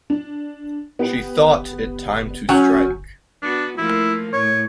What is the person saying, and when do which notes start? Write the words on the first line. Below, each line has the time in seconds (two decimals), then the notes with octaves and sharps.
She thought it time to strike.
0.10 D4
0.99 B3 G4 B4
2.49 F#3 C#4 G#5 F6 G6
3.42 B3 D4 F#4
3.78 F3 A3 A#3 E4
4.33 A2 C#5